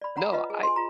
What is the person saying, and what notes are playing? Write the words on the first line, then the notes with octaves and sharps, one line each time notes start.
No, I
D5 B5
C#5 F#5 A#5 B5
F4 B4 D#5
G#4
G#5 C6
F4 A#5